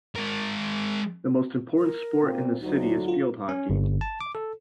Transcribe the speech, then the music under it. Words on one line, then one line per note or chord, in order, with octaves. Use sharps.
The most important sport in the city is field hockey.
G#3 A#4
A#4
A#2 C4
D2 F#3 D#4
F4
C#4
G1
A5
D6
A4